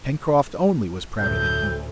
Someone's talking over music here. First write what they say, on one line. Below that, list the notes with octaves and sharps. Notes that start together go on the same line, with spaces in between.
Pencroft only was prouder than he!
D2 A2 G6